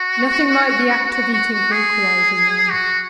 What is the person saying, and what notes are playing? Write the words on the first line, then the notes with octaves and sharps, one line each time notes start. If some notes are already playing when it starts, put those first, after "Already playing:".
'Nothing like the act of eating for equalising men.
Already playing: F#4
F#4
F#4
F#4
G#4
F#4